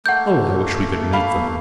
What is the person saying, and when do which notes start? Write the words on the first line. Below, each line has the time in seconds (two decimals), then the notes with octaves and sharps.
"Oh, I wish we could meet them."
0.06 A3 A#3 F#5 G6
1.13 F5 B5